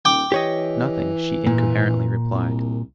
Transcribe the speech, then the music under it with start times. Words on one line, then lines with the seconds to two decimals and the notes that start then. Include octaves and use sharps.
'Nothing,' she incoherently replied.
0.05 D#1 G5 D6
0.32 E3 G4 C#5 D#5
1.47 A#2
2.34 C2